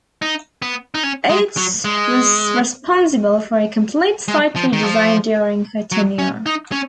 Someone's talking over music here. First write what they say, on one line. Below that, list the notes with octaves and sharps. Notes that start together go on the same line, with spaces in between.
Oates was responsible for a complete site redesign during her tenure.
D#4
B3
D#4
C#4
G#3
F#3
G#3
G#3
F3
D#3
F3
F#3
C#4
D#4
C#4